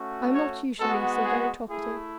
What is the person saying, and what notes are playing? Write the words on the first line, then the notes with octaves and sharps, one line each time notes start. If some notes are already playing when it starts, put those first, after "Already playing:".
I am not usually so very talkative.
Already playing: A3 C#4 F#4
C#5
G#3 B3 F#4 A4
G#4
A3 E4 G#4